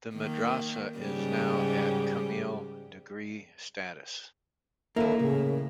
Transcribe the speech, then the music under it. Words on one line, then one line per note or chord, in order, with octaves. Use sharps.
The madrasa is now at Kamil degree status.
D#3 A#3
G#2 C#3 G3
D#2 D3 A#3 E4 A4
A2 C#3